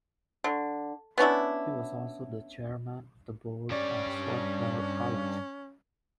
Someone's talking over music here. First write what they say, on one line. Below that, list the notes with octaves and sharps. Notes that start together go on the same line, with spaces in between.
He was also the chairman of the board at Swarthmore College.
D3
B3 C#4 D4 E4
G2 C#4 D5